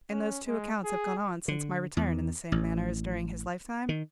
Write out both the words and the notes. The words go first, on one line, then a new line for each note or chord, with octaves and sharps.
"And those two accounts have gone on since my return in the same manner as during his lifetime?"
C#4
G#3
G#4
D3
E2
A1
D#3